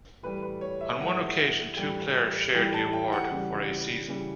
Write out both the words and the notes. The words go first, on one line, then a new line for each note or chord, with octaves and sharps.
On one occasion two players shared the award for a season.
A2 E3 G3 B4
B4
C#5
E5
A2 E3 G3 F#5
A2 E3 G3 G5
A2 E3 G3 G5
A5
G5
F#5
C#3 E3 G3
C#3 E3 G3